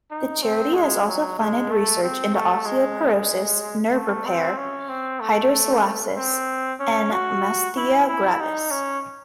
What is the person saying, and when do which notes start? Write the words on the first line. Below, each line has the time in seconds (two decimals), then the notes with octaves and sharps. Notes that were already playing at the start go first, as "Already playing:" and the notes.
The charity has also funded research into osteoporosis, nerve repair, hydrocephalus and myasthenia gravis.
0.11 D#4
0.43 C4
0.74 G#3
1.06 F#3
1.39 G#3
1.71 A3
2.03 C4
2.35 A3
2.66 G#3
3.94 A3
4.26 C4
4.57 C#4
4.89 C4
5.21 A3
6.17 C4
6.80 C#4
7.12 F#4
7.76 E4
8.08 E4
8.40 D#4
8.71 C#4